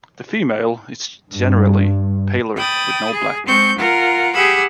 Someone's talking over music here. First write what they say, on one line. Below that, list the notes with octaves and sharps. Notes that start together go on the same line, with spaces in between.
The female is generally paler, with no black.
G2
G5 B5 D#6 A6
G#4
G#3 C4 C#6 G6
F4 A#4 F#5
G4 G#4 F#5 B5 E6